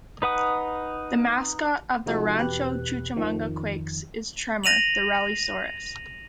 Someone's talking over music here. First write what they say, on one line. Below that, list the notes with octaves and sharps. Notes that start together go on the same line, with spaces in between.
The mascot of the Rancho Cucamonga Quakes is Tremor, the "Rallysaurus".
D#4 B4 F#5 D#6
C3 F3 G#3 D#4 F#4 A4
E2 B2 G4 B4 F#6
F2 D#3 F3
A#6 D#7 F7 F#7